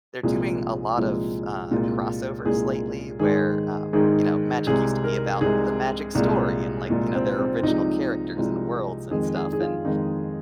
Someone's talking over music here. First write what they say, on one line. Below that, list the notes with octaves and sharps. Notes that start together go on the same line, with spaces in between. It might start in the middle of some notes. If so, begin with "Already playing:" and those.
they're doing a lot of, uh, crossovers lately, where, um, you know, Magic used to be about the Magic story and like, you know, their original characters and worlds and stuff, and,
C2 A#2 F3 G#3 G#4
C2 A#2 F3 G#3
C2 A#2 G#3
C2 A#2 G#3 G#4
G#2 D#3 G#3 G#4
G#2 D#3 G#3 G#4
C2 C3 G#3 G#4
A#4
C2 C3 G#3 G#4
C2 A#2 G#3
C2 A#2 G#3
C4
C4
C2 C3 F3 G#3 D#4
C2 C3 F3 G#3
F2 D#3 G#3 G#4
G#4
G#4
F4
F2 D#3 G#3 D#4